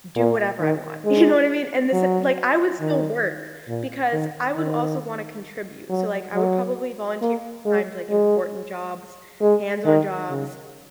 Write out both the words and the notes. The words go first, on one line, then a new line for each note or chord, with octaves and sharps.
do whatever I want. You know what I mean, and this, eh, like I would still work because I would also wanna contribute, so, like, I would probably volunteer time to, like, important jobs, hands-on jobs,
A#2
D#3
G#3
F#3
D#3
A#2
D#3
D#3
F#3
F#3
A#3
G#3
G#3
G#3
D#3
C#3